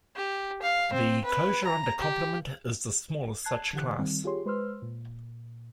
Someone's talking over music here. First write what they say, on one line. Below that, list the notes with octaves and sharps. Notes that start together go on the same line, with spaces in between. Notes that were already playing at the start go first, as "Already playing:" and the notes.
The closure under complement is the smallest such class.
G4
F5
C4
B4
A#5
G4
A5 F#6 G#6 C7
D3 E3 G4 F#5 F#6
D#3 G3 C4
F4 G4 G#4 C#5 C6
G#3 B4 C5 C6 E6 F6
A#2